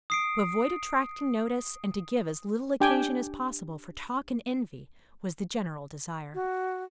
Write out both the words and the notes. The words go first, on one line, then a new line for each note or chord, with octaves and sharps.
To avoid attracting notice, and to give as little occasion as possible for talk and envy, was the general desire.
D#6 C7 D7
D4 G4 G5 G#5
F#4